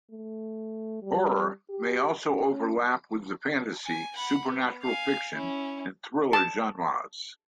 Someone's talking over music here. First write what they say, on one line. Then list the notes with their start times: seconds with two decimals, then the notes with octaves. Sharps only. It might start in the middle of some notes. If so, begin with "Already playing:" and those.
Horror may also overlap with the fantasy, supernatural fiction and thriller genres.
0.11 A3
1.02 G3
1.70 G4
2.31 C#4
3.86 G#5
4.16 F#5 B5
4.46 B3
4.82 F5 G#5
5.35 C#4 E4
6.33 A5